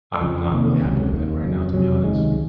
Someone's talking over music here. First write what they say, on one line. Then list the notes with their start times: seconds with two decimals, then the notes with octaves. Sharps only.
I'm not really happy with him right now, to be honest.
0.21 F2 C#3 F3
0.52 C3 D#3 A#3 C#4
0.82 C#2 C3 F#3 C#4
1.13 D#2 D#3 A#3
1.43 F2 C#3 F#3
1.74 F2 C3 F#3 C#4
2.04 C#2 C3 D#3 G#3